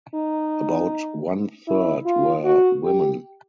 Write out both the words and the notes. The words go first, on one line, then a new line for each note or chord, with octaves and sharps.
About one third were women.
D#4
E4
F4
F#4
G4